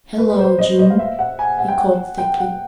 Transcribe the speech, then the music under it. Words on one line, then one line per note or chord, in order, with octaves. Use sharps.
"Hello, June!" he called thickly.
B4
B4
C5
D#5
D#5
F5
E5
F#5
G#5
F#5
G5
F#5
G5
F#5